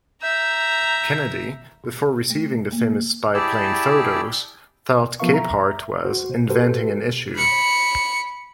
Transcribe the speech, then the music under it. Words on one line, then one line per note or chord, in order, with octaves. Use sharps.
Kennedy, before receiving the famous spy-plane photos, thought Capehart was "inventing an issue".
E5 A#5 G6
A#2
A3
A#3
E4 G4 G#4 D5 A5 E6
F3 B3 A#4 E5 F5 C#6
E5 A#5
D2 F#4 C5
B2
F#4 G4 A4 B4 C5
B5 C#7